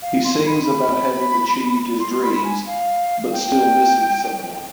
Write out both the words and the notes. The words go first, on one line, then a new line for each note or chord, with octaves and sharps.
He sings about having achieved his dreams but still missing someone.
F5
C6
B5
B5
C6
B5
G#5
F5
G5